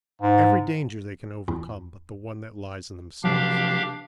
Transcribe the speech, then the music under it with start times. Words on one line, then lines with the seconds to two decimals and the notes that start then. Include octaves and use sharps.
Every danger they can overcome but the one that lies in themselves.
0.22 G#2
1.48 E2
3.24 C3 F3 F#3 D4 G4 F5